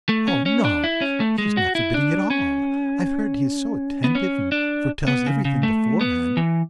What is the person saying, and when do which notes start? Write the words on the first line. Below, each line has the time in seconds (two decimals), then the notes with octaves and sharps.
"Oh, no, he is not forbidding at all; I've heard he is so attentive and foretells everything beforehand."
0.09 A3
0.28 C#4
0.46 C#4
0.65 D4
0.84 E4
1.01 C#4
1.20 A3
1.38 G#3
1.57 F#4
1.75 E4
1.94 D4
2.30 C#4
4.04 B3
4.15 C#4
4.52 D4
5.08 B3
5.27 C#3
5.45 C#3
5.63 A3
6.01 B3
6.37 E3